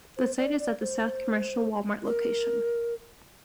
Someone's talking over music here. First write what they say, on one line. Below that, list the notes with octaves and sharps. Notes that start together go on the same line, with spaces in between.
The site is at the South Commercial Wal-Mart location.
C5
D5
D5
C5
A#4